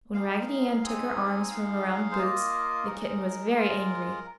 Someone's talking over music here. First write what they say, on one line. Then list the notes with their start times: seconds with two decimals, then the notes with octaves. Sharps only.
When Raggedy Ann took her arms from around Boots, the kitten was very angry.
0.14 G#3 D#4 F5
0.83 G#3 C4 D#4 G#5
1.51 G#3 D#4 F5
2.12 C5
2.19 A#3 F4 D#5
2.87 G#3 D#4 A#4
3.55 G#3 F4 A#4